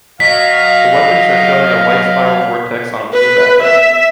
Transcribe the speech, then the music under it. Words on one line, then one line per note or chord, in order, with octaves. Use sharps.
The weapons are showing a white spiral vortex on a blue background.
F#3 D#5 F5 B6
B4
E5